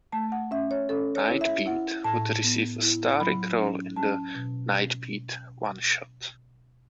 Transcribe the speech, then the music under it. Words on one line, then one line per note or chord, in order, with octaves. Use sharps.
Nightbeat would receive a starring role in the ": Nightbeat" one-shot.
A3 A5
F#5
C#4 E5
C#5
C#4 A4
C#5
E4
E5
E4 F#5
A2 A5
B3
E4
F#3 B5
C#4
C#4 A5
B2